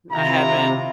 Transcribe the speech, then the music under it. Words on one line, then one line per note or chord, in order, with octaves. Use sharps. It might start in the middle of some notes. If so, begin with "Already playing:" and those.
I haven't.
C3 D#3 E4 F4 A#5